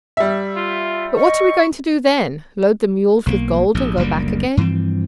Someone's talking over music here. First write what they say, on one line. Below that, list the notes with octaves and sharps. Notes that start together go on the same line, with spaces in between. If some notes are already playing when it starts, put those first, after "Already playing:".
"But what are we going to do then--load the mules with gold, and go back again?"
G3 E5
F4
D#5 C#6
B1 E3 A#3
A#1 G#2
F#1 D2 G3 A#3
G2 E3 F3 C4